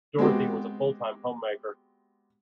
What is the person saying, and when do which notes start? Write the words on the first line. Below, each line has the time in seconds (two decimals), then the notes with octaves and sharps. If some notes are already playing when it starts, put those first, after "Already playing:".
Dorothy was a full-time homemaker.
0.19 G#3 B3 C4 F#4 G4